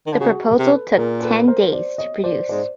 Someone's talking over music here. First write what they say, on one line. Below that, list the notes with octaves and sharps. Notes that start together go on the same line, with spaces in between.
The proposal took ten days to produce.
D#3
D3
C#3 F#4 G#4
G#4 A#4
C3
A4 B4
A#2 G#4 A#4
A4 B4
A#4 C5
C5 D5
C#5 D#5
C5 D5
G#2 C5 D5